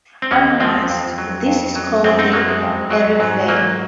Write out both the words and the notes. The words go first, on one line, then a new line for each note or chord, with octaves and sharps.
On Mars, this is called the Areophany.
C4
D#2 A#3 C#4
F3 G#3 C4
F2
F#3
F2
F#3
F#2 G#3 C4
C4 D#4
F#3 A#3
G#3
F2
F#3
G#2 F#3
F#3 A#3